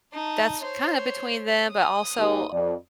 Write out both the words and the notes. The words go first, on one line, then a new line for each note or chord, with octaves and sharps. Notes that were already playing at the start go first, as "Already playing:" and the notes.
that's kinda between them, but, also
D#4 A5
C5 C#5
D#6
D#2
F2 D5